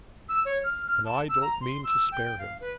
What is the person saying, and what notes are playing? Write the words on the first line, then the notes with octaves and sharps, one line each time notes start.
"And I don't mean to spare him."
E6
C#5
F6
F6
A5
E6
A#5
C6
E6
G5
F5
B4